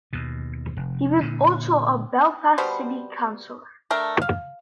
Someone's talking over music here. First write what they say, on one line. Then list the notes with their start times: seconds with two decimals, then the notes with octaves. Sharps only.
He was also a Belfast City Councillor.
0.13 D#2 B2
0.77 F1
1.21 A#2 D3
2.58 B2 G3 C5 B5
3.91 A3 D4 A#4 G5
4.22 F5